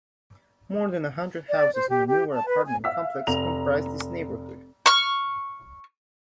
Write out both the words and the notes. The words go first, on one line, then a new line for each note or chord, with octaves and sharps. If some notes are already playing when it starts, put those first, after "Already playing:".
More than a hundred houses and a newer apartment complex comprise this neighborhood.
D5
C5
G4
G4
A5
B4
G#5
E5 F5 E6 B6
F1 A#5 F7
C#6 F6